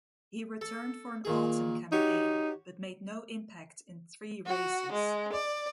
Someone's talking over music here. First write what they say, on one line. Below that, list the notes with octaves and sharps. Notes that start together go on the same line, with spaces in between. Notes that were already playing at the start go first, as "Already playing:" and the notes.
He returned for an autumn campaign but made no impact in three races.
A4
A#2 D#3 G#4
D#4 F#4 G4 C#5
F#4
G#3
D5